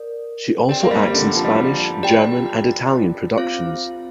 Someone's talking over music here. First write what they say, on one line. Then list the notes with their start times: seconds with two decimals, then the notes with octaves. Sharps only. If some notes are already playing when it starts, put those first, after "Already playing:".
She also acts in Spanish, German, and Italian productions.
Already playing: A#4 D5
0.69 C4 G4 D5 G5
0.83 A#3
0.91 G3
1.14 D3
1.35 F3
1.45 G3
1.55 F3
2.03 G4 D5 G5
3.38 C4 F4 C5 F5